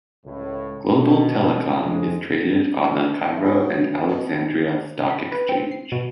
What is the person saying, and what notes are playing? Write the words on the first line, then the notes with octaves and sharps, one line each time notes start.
Global Telecom is traded on the Cairo and Alexandria Stock Exchange.
C#2 A2
B2
F2 G#3
E4
F#3 G#4 B4 C#5
B2
B5
B4
C4
C7
B2